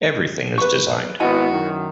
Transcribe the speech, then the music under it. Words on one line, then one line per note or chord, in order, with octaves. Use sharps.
Everything is designed.
B4 C#6
G#1 B3 E4 F#4 D#5 G#5
F#2 D#3